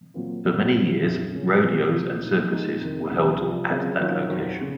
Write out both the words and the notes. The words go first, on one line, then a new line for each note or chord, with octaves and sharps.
For many years, rodeos and circuses were held at that location.
A#2 F#3 C4 F4
C2 A#2 F#3 A#3
C2 C3 F#3
F#2 D#3 F#3
C#3 F3 G#3 C#4
C3 F3 C4 F4
C#3 F3 A#3
A#2 G#3 D#4
A#2 F3 G#3 D#4
F2 C3 D#3
C#2 C#3 F#3
C2 C3 F3
C#3 F#3 C4 F4 G#4
D#3 F#3 C#4 F4
F2 D#3 F#3 C4 F#4
C#3